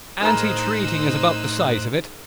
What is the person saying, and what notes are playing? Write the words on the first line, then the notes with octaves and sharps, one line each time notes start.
Antitreating is about the size of it.
A2 D#4 G#4 A#4 C5 B5 E6 F#6